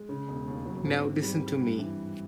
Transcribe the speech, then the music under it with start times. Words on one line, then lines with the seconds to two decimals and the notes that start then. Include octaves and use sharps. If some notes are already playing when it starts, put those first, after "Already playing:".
Now listen to me.
Already playing: G#3
0.09 C#3
0.28 E1
0.47 D#2
0.66 F#3
0.85 G#1
1.04 G#1
1.22 G3
1.41 G3
1.61 G2
1.79 E3